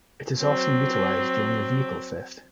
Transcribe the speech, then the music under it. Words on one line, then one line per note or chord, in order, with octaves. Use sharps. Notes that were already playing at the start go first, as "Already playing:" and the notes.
It is often utilized during a vehicle theft.
F#3 C4